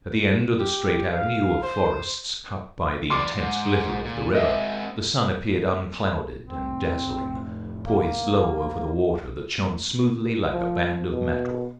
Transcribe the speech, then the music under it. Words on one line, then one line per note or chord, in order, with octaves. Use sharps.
At the end of the straight avenue of forests cut by the intense glitter of the river, the sun appeared unclouded and dazzling, poised low over the water that shone smoothly like a band of metal.
G4
F5
C5
E2 D5 C6 D6
G#2
A#2
G#3 C4 D#5 E5
F1 A2 C4
A#3
F3
B2